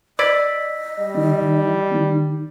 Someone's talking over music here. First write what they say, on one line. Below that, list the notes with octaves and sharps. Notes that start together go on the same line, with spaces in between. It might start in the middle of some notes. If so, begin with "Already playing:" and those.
Mhm. Mhm.
D5 D#5 B5 E6 G#6 B6
G3